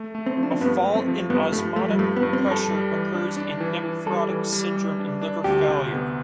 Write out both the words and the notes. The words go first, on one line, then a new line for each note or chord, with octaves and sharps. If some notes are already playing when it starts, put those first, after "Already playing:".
A fall in osmotic pressure occurs in nephrotic syndrome and liver failure.
Already playing: A3
A3
C4
F3
D4
C4
G2 B3
A3
C4
F3
G2 B3
G2 A3
F3 A3
G3
G2 A3
B3
G2
C4
G2
A4
G3
E3
D4
D4
E3
E3
G3 A4
E3
G3
G3
D4
D4
D2 G4
C3
B3